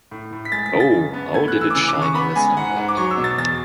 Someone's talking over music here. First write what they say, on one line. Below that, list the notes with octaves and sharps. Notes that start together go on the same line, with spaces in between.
Oh, how it did shine in the sunlight!
A2
A2
B6
G#3 A6
B6
C#3
A6
F#2
B3
A3 G#6
F#6
E3
E6
D6
C#3 E6
D6
C#3
C#6
B3 B5
G#3 G#5
G#2 F#5
G#2
D6
F#3 C#6
E6
B2
A6
E2 A6